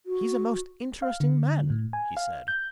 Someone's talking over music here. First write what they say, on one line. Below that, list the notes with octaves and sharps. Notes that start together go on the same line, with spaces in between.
"He's a most interesting man," he said.
F#4
F5
D3
A2
G#5
F5
G6